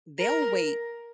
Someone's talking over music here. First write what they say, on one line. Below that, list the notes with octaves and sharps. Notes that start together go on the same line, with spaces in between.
they'll wait
A#4